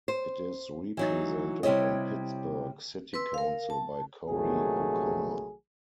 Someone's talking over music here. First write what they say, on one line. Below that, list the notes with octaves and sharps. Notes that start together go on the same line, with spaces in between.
It is represented on Pittsburgh City Council by Corey O'Connor.
C5
E3 F#3 D#4
C3 G3 E4 C#5 D#5
B4 C6 E6
A#4 F5
A5
A#1 C3 D#3 F#3 A3 G#4